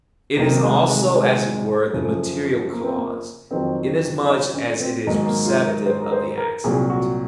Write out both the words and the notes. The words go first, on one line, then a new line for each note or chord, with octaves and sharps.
It is also as it were the material cause, inasmuch as it is receptive of the accident.
C2 C3 D#3 F#3 A#3
A#3
G#3
G#3
G#3
F#2 C#3 F3
A#3
C4
A#3
F2 D#3 F#3 C4
D#4
C#4
C4
G#2 D#3 F#3 A#3
A#3
F4
A#4
C5
A#4
C5
A#4
C2 A#2 F#3 G#4
F#4